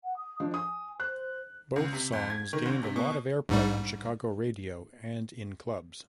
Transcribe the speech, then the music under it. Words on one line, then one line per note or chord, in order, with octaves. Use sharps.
Both songs gained a lot of airplay on Chicago radio and in clubs.
F#5
D#6
F3 D4 D#5
G#5 D#6
C5 F#6
C#2
C3
F2
G#6
D#3
A#1
C3
B2
A#1 G#2 G3